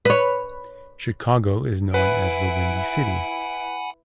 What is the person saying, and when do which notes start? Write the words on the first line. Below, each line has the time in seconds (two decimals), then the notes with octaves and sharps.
Chicago is known as the Windy City.
0.05 B4 C#5
1.94 E4 B4 F#5 G#5 B5 D7